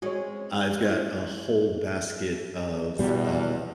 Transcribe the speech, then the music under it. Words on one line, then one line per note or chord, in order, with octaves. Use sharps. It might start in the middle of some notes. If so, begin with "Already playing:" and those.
I've got a whole basket of, uh,
G#3 C4 C#4 F#4 C#5
E4 C5 D#5
E2 B2 G3